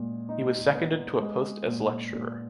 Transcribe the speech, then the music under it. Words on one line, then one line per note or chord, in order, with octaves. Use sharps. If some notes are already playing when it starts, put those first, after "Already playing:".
He was seconded to a post as lecturer.
Already playing: A#2 G#3
D#4
B3
G#3
A#2
A#2